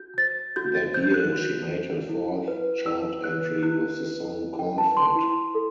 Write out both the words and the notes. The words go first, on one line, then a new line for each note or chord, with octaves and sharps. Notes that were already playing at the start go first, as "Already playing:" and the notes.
That year, she made her fourth chart entry with the song Corn Fed.
Already playing: F#4 G6
C5 A6
F#4 G6
A6
C5 G6
F#6
F#4
C5
E4
B4
E4 E6
B4 F#6
E4 F#6
B4
E4
G5
B4 A5
C6
E4
A4